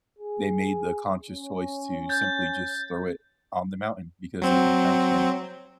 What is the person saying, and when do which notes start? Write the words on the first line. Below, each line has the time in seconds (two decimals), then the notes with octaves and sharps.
they made the conscious choice to simply, just, throw it on the mountain because there's no trash can.
0.19 G#4
1.30 C#4
2.09 G6 A6
4.42 F#3 C4